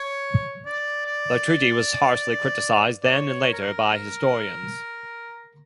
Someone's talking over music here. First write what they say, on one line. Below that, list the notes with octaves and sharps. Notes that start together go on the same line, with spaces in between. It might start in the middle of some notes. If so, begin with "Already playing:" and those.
The treaty was harshly criticised, then and later, by historians.
Already playing: C#5
D5
D5
D5
C#5
A#4